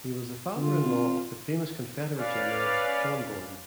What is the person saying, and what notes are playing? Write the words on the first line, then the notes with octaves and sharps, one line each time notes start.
He was the father-in-law of the famous Confederate General John Gordon.
D3 F4
C4
C#4 B4 D5 F5